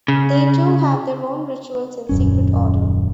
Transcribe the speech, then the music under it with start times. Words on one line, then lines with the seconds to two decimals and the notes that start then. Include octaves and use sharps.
They too have their own rituals and secret order.
0.08 C#3
2.09 D#1 F#2 C#4